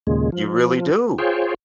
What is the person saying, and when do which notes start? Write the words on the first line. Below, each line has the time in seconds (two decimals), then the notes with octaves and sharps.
You really do.
0.07 D#2 A#2 C#3 G#3
0.32 F3
1.18 F4 G#4 C5 C#5 G5